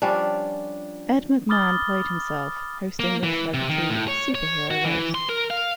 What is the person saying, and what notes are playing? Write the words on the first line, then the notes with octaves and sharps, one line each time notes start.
Ed McMahon played himself, hosting the celebrity super-hero roast.
F3 G3 C#4 D4
B5 D6 D#6 F6 A6 G7
A#3
E3
C3
D#3
A2
C#5
C#5
F#4
E3
C6
A#4
F5